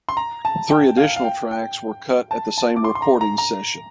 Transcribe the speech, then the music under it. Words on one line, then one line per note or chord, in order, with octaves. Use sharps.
Three additional tracks were cut at the same recording session.
C6
A#5
A5
G5
F5
F5
G5
G5
A5
A5
D6
C6
C6
A#5
A#5
A#5